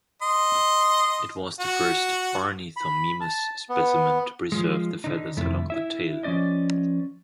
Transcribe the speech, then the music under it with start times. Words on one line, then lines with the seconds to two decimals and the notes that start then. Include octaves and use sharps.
It was the first "Ornithomimus" specimen to preserve the feathers along the tail.
0.22 D#5 C6
1.60 F#4
2.76 B5
3.21 A5
3.69 B3
4.52 F3 G#3
5.04 D3 D#4
5.37 F2 C3 A3 E4
5.70 E4 E5
6.23 F3 C#4 D#4 D5 D#5